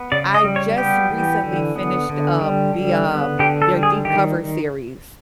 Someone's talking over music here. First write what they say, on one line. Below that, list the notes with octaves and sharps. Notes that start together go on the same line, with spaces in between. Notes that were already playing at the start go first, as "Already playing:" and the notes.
I just recently finished up the, um their Deep Cover series
Already playing: B3
C#3 D5
D#5
G3
C#5
B3 G4
E3
D3
B3
D3
G3
D3
B3
D3 G4
A4
G3
G#4
D#3 G4